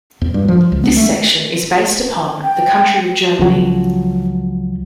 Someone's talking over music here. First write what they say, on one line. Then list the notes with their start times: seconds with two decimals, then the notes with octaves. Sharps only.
This section is based upon the country of Germany.
0.21 E2
0.34 G2
0.48 F3
0.72 C#2
0.84 B3
0.97 A3
2.44 G5
3.39 C#2 F3 F#3